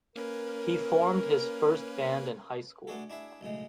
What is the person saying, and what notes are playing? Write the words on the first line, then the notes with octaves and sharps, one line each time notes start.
He formed his first band in high school.
A#3 C#4 A#4 B4
A3 B3 D4 F#4 G#4 A4
D4 E4 G#4 E5
B1 A2 C#3 G#3